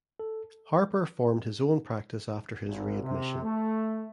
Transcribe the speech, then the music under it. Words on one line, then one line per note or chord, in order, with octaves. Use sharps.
Harper formed his own practice after his readmission.
A4
G#1
C3
A3